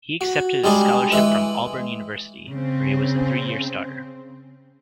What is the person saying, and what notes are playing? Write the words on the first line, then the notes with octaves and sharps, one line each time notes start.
He accepted a scholarship from Auburn University, where he was a three-year starter.
F#4
G3 G#3 D4 G#4 D#5
E3 G#3 E4 B4
C#3 C4